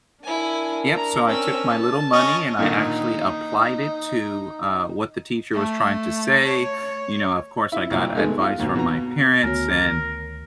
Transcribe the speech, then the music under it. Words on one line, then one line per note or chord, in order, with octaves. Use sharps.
Yep, so I took my little money and I actually applied it to, uh, what the teacher was trying to say, you know, of course, I got advice from my parents, and,
D4 E4 A#4 G#5
A#5
C4 C#4 E6
A5
C#4 D#5 C#6
A#2 D3 D#3 D#4
A3
C#5
E4
C2 A#2
G#3 A3 B3 D#4
F4
D#2 B2
B2 A#5
D2 D#3 B3 F#4 A#4 C#5